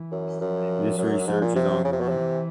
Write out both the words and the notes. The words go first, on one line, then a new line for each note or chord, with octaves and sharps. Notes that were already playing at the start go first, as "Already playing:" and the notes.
This research is ongoing.
Already playing: E3
F#2
F#2 F3
F#2 F#3
G#2 F3
A#2
C3
C#3
C3
B2
C3 E3